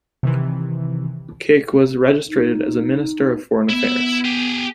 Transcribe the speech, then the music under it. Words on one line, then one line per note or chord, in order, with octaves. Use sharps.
Keke was reinstated as Minister of Foreign Affairs.
C3 D#3 E3
D#4
B3 E4 E5
G4 G#4